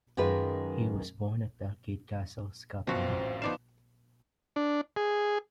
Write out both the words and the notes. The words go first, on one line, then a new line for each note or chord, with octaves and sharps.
He was born at Dalkeith Castle, Scotland.
F#2 D#3 G#3 F4 B4
A#1 F#2 B2 F3 C4 F#4 F5
A1
F3 B3 D#4 D5 F5 E7
D4
G#4